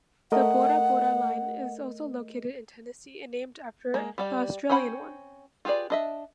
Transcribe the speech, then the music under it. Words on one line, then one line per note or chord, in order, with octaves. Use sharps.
A Burra Burra mine is located in Tennessee and named after the Australian one.
A3 A#4 D#5 F#5
G#3 A#3
G3 G4 D5 G5
C4 C#4 C5 F#5 B5
F4 G4 G#4 B4 D5
D4 D#5 E5